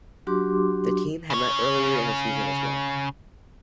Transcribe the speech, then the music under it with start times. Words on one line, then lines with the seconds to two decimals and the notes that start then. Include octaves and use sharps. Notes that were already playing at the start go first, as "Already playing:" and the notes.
The teams had met earlier in the season as well.
0.27 F#3 D4 F#4 G4 C6 D6
1.30 C#3 C#5